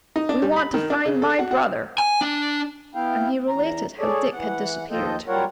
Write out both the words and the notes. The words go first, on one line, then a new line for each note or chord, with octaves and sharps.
"We want to find my brother," and he related how Dick had disappeared.
D#4
D4
G3
B5
D#3
D4
C#3
A4
F#4
F#4
G#5
D4
B3 E4 F5 G5
E2 A#5
G#4 A4 C#5 D5
E3 F#5
D#2 F3 F4 A4 D#5 G5
F#2 G3 F4 A#4 C#5 F#5